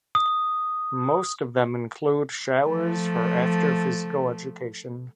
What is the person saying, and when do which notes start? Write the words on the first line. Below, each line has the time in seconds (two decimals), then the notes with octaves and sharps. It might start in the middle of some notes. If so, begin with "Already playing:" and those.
Most of them include showers for after Physical Education.
0.15 D#6
2.68 F3 A3